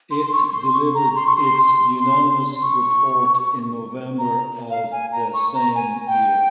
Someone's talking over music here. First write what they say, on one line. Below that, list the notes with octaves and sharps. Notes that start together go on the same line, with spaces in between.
It delivered its unanimous report in November of the same year.
C6
C6
C#6
C#6
C6
C#6
A#5
C6
C#6
C6
C6
C6
C6
C#6
A#5
F5
G#5
A#5
C#6
A#5
G#5
G5